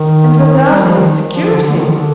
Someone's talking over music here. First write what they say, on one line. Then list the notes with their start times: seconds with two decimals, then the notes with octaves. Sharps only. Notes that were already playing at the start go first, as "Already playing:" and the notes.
"And without any security!"
Already playing: D#3
0.69 G3
0.82 F3
0.97 D#3
1.31 F3
1.52 D3
1.66 D3
1.75 F3
1.79 D#3
1.94 D3